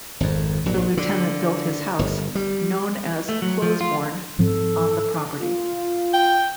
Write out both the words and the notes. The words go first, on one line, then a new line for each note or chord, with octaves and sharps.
The lieutenant built his house, known as Closebourne, on the property.
G#1 F2
A#1 F#3
D3
G1
G3
A3
F#3
F3
F4
G#2 F3 C4 A4
F4
G5